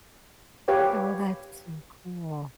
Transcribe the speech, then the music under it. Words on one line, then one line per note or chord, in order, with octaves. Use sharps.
Oh, that's so cool.
G4 B4 C#5 F5 G5